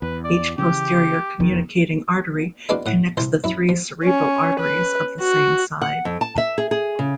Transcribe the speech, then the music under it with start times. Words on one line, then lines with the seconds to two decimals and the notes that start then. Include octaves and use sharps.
Each posterior communicating artery connects the three cerebral arteries of the same side.
0.02 E2 B4
0.24 D5
0.58 C#3 E3 C#4 G4
1.40 F1 E2 D#3
2.69 G#3 B3 D4 F#4 D5 F5
2.86 A2 F#5
3.17 C2 C3 C5
3.44 F#2 E4
3.69 F3
4.04 C#4
4.59 B4
5.20 F#4
5.81 F#5
6.05 F2
6.21 A5
6.38 E5
6.58 G#4
6.71 G#4
6.99 C#3